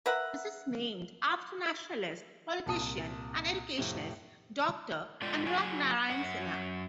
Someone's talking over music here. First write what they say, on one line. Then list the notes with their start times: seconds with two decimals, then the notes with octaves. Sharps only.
This is named after nationalist politician and educationist Doctor Anugrah Narayan Sinha.
0.06 A#4 B4 E5 F#5
2.66 C2 A#2 A5 D#6 D#7
3.78 F2 A2 C3
5.22 B2 D3 G#3 F4 D5 G5
5.46 F#3 F#4 G#4
6.10 F#2 F#5